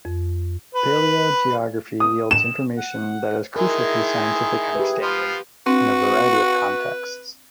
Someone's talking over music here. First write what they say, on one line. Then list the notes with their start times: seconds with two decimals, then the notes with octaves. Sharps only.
Paleogeography yields information that is crucial to scientific understanding in a variety of contexts.
0.05 F2
0.75 B4
2.00 D#6
2.31 E7
2.77 F#5
3.56 D#3 G#3 E4 G#4 A#4
4.75 G4 B4
5.02 F3 B3 F4
5.66 C4 D4 F#4 B4